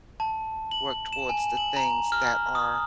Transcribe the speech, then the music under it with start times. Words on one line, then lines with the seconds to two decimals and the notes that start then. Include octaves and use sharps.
work towards the things that are
0.20 A5
0.71 F#7
1.13 E7
1.29 G#5
1.57 F#7
1.77 A#5
2.12 F6
2.55 D#6